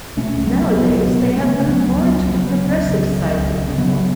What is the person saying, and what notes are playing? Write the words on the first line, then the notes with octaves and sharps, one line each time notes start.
Nowadays, they have moved more into the progressive side of metal.
B2 A3 C#4
C#2
C#2 F#3 B3
B2
C#2 F#3 B3
C#2
B2
B2
C#3 A3 C#4
C#3
C#2 F#3 B3
C#2
C#2 F#3 B3
C#2
C#2 F#3 B3
C#3
C#3
C#2
C#3
C#3
C#2
C#2
C#3
C#3
C#3 F#3 B3